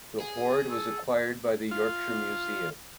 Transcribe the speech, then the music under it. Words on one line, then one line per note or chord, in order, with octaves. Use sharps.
The hoard was acquired by the Yorkshire Museum.
G#4
A4
F4